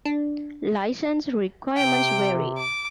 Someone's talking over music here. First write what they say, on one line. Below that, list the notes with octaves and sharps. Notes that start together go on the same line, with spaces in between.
License requirements vary.
D4
C3 G5
D6